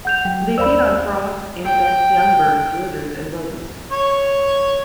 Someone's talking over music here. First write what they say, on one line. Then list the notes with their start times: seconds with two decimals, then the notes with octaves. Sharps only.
They feed on frogs, insects, young birds, lizards and rodents.
0.05 F#5 G6 F7
0.25 F#3 G5
0.58 D#2 C5 D5 F5 B5 E6
1.65 G5
3.90 C#5